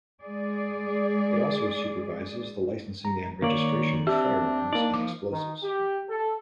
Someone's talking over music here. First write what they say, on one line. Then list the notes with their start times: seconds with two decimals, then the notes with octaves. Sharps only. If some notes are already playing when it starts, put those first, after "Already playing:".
It also supervises the licensing and registration of firearms and explosives.
0.23 G#3 G#4 D5
3.05 A#5
3.42 D#3 A#3 C#5 D5
4.07 C4 D4 G4 E5
4.73 A#3 D#4 D5
4.94 F3 D6
5.31 D#3
5.62 G4
6.08 A4